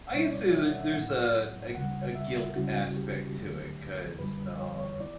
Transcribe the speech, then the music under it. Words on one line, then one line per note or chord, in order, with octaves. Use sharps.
I guess there's a there's a a a guilt aspect to it, 'cause, um,
C#2 B2 G3 C#4 E4 C#5
D5
E5
F#5
E5
A2 F#3 B3 E4 F#5
D2 C#3 G3 F#5
E5
C#2 C#3 G3 C#4 E4 F#4
G4
D2 D3 F#3 A3
F#2 D3 G3 B4
C#5
C#5
E3 B3 E4 D5